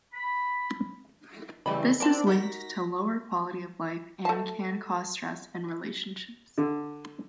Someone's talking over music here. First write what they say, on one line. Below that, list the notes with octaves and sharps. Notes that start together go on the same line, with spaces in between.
This is linked to lower quality of life and can cause stress in relationships.
B5
C#3 E3 G3 A3 D#5 B5
C4 D4 A#4 D5 A5 A#5
D#4 F#4 A#4 A#6 B6
A3 A5
D3